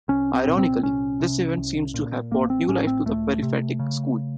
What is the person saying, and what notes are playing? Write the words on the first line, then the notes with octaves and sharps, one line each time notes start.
Ironically, this event seems to have brought new life to the Peripatetic school.
C2 C#4
C4
A#2
C4
C2 C#4
C3
C2
A#2
A1 A#3
C4
A2 C#4
C4
C#2 A3
C3
C#3